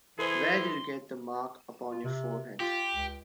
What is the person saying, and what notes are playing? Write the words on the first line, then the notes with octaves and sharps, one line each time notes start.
Where did you get the mark upon your forehead?
E3 G#4 A4 C5 C6
F4
C3
F4 G4
C#2